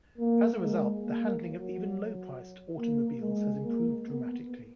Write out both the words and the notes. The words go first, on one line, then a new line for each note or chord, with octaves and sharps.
As a result, the handling of even low-priced automobiles has improved dramatically.
A#3
G#3
A#3
F#3
A#3
G#3
A#3
B3